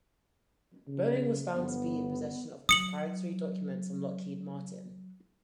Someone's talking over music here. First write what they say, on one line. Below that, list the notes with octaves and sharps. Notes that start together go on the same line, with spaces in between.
Boeing was found to be in possession of proprietary documents from Lockheed Martin.
C#3
G1 B3
F#3 D#6 C#7 F#7